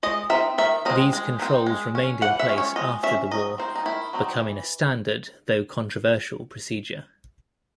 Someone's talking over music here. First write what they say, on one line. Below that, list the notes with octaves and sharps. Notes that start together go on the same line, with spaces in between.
These controls remained in place after the war, becoming a standard, though controversial, procedure.
G#3 D#5
C4 D#4 E5
D#3 E5
G#3 C4 D#4 D#5
G#3
C4 D#4
G#3
C#4
E3 F#5
E5
G#3 C#4
C#5
G#3 D#5
C#4 E5
F#3 D#5
C4 D#4 C5
D#4
D#3 E4
F#3 C4 D#4
E3